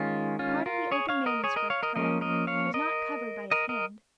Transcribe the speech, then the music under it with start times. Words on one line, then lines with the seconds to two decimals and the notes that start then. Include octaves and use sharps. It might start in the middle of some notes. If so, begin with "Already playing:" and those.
Part of the open manuscript, however, was not covered by his hand.
Already playing: D#3 G#3 C#4 F4
0.39 C#4 F4
0.66 F4 A#4
0.92 G#4 C#5
1.09 C#5 F5
1.26 A#4 D#5
1.44 G#4 C#5
1.56 A#4 D#5
1.70 C#5 F5
1.83 A#4 D#5
1.96 F3 A#3 C#4 A#4 D#5
2.21 A#4 D#5
2.47 C#5 F5
2.74 A#4 D#5
3.51 A#4 D#5
3.69 A#4 D#5